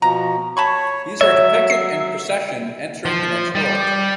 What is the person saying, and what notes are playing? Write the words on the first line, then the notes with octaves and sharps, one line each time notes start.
These are depicted in procession entering the next world.
B2 F3 A#5
C#5 A5 B5 C#6
F#3 C#5 E5
C7
F3
G3